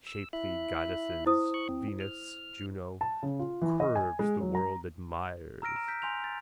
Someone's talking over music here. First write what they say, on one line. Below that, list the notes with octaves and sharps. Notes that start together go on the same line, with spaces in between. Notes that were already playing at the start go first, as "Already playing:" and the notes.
Shapely goddesses, Venus, Juno: curves the world admires.
E6
E4 E5 F#6
E4 C5 D#6
C#6 F#6
C4
F6
A5
C#3
F4
E3
D#5
G#5
G#3
F#3
A#5
A#5 E6 F6 A#6 D7
A#5
G6 B6
G#5 C6 G6 F7
A6